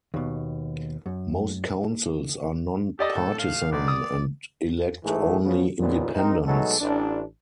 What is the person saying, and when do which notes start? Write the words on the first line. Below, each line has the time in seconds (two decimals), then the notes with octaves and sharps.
Most councils are non-partisan and elect only independents.
0.14 D#2 B2
1.06 F#2
2.99 G4 A4 D5 D#5
3.15 A2
3.39 F5
3.72 B1 D5
3.88 D#6
5.04 A1 G#2 E3 A3 G#4 A4
5.44 C#3 F3 B3
5.80 D#2 A#2 C#3 E3 F3 B3
6.15 C4 D#4 A#4
6.47 B2 F#3 G#3 A3 D#4 A4
6.81 A1 D4